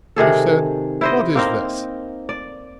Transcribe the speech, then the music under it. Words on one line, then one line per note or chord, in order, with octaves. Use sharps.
He said: 'What is this?
C3 D#3 G#4 A4
E4 C5 D#5
A#3 C4 D#4
D5